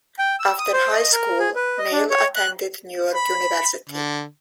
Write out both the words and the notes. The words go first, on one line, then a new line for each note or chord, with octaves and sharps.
After high school, Mele attended New York University.
G5
E6
D#6
C5
D#5
A#4
G#4
B4
D#5
D4
C#5
F#6
B5
D3